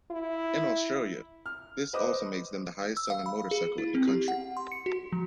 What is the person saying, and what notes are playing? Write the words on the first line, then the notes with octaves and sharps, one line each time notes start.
In Australia this also makes them the highest selling motorcycle in the country.
E4
F6
B4 C5 D#5 D6 D#6
E6
F5
B5
G#4
E4
C4
G4
F#5
C6
C#7
F#4
F3